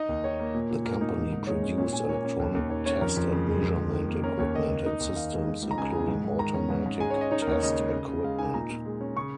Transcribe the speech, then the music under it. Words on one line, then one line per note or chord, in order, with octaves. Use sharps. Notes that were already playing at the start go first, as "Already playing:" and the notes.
The company produced electronic test and measurement equipment and systems, including automatic test equipment.
Already playing: D#4 D#5
D#2
D#3 C#5
A#3
A#2
A#2
A#3 A#4
D#4
G#2
G#2
G#3 C#5
C#4
A#2 C#5
A#2 G#5
A#3 C#5
C#4
D#2
D#2
D#3 C#5
C#4 C#5
F2 A#4
F2
C#3
G#3
F2
F2
D#3
A#3
C#4 A#4
D#2 C#5
D#3 D#5
A#3
D#4
D#2
D#3 F5
G#3
D#4
C#2
A#5
C#3 G#5
G#3
G#2
G#2
D#3 A#5
C#4
G#2
G#2
G#3 G#5
C#5
C#4 D#5
D#4 C#5
A#4
D#2 C#5
C#3 D#5
G#3
C#3
C#3
G#3 F5
D#4 G#5
A#2 A#5
A#2
G#3
C#4
C#3 C#6